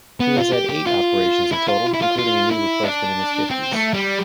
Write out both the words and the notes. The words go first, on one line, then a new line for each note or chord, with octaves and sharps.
He has had eight operations in total, including a knee replacement in his fifties.
B3
F4
G4
G4
F4
E4
F4
E4
F4
F4
E4
D4
C4
A3
G3